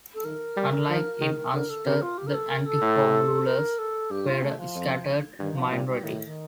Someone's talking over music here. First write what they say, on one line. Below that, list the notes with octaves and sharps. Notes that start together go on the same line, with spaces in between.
Unlike in Ulster, the anti-Home Rulers were a scattered minority.
A4
D#3 A#4
G3
F3
D#3
D3 A#4
A4
C3 A#4
F4
G4
A#4
A4
A#4
A4
A2
A#4
A4
G2 G4
F4
A3
F3
F2
G2 D#3
F3
A#2 G3
G3
A2 D#3
D#3